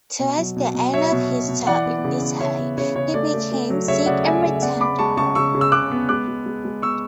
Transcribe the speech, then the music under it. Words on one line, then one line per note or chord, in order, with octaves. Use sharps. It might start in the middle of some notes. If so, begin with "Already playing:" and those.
Towards the end of his tour in Italy he became sick and returned home.
B2
F#3
B2
B2
F#3 C#5 E5
B2
B2
B2
E3 D5 F#5
B3
C#3
B3
C#3 C#5 E5
B3
C#3 C#5
C#3 C#5
A3 D5
A3
A3
F#3
C#3 C#5 E5
C#3 D5 F#5
A3 E5 G#5
C#3
E5
B3 D5 F#5
B3 B5 D6
G#3 A5 C#6
C#3 A5 C#6
C#3 C#6 E6
C#3
E6
C#3 D6 F#6
B3
G#3 D6 F#6
G#3
G#3
G#3
B3 C#6 E6